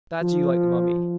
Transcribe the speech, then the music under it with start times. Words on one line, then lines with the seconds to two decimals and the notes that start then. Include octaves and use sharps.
Glad you like the mummy.
0.22 F3